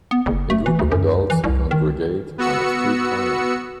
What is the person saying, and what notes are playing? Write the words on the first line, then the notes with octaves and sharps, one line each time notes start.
A group of adults congregate on a street corner.
B3
F#1
A3
E3
D2
F#2
E3
C2
D#3
B3 F#4 E6 C#7